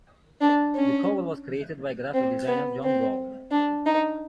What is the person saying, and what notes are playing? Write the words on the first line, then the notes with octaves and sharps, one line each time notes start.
The cover was created by graphic designer John Gall.
D4
C#4
C4
B3
C4
D4
D#4